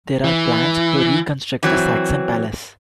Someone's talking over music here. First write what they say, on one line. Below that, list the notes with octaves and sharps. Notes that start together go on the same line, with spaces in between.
There are plans to reconstruct the Saxon Palace.
E3
E3 F#3 C4